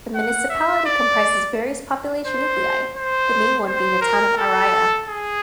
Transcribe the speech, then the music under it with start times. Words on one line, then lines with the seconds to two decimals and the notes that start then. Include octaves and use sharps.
The municipality comprises various population nuclei, the main one being the town of Araia.
0.15 F#5
0.49 E5
0.86 D5
2.26 C5
2.96 C5
3.67 C5
4.01 A#4
4.37 A4
5.08 G#4